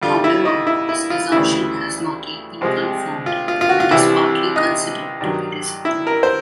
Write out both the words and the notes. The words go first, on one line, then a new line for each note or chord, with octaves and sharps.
However, this assumption has not yet been confirmed and is partly considered to be disproved.
F2 D3 G3 F4
E4
D#4
E4
E4
F4
D2 C#3 E3 G3 E4
C2 C3 F3 G#3
F4
F4
F4
F#4
F4
C2 C3 E3 G3 E4
D#4
G2 D#3 F#3
E4
A#4
C5